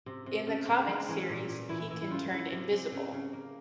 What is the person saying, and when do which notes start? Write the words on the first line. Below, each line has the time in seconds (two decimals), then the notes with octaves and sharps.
In the comics series he can turn invisible.
0.06 C3
0.26 C3
0.47 C#3
0.68 C#3
0.88 G#3 C4
1.09 E3 C#4
1.29 A#2
1.49 A#2
1.69 E3 E4
1.80 E4
1.91 E3 E4
2.01 E4
2.10 C#3 F4
2.31 C#3 E4
2.52 C3
2.71 C3
2.92 C#3
3.12 C#3
3.33 A#3